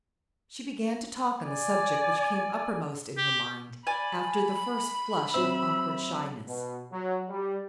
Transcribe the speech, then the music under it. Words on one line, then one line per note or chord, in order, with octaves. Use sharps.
She began to talk on the subject which came uppermost in her mind, after the first flush of awkward shyness.
D5 G#5
G4
D5 G#5 B5
F#3 C4 C5 E5
B2
F#3
G3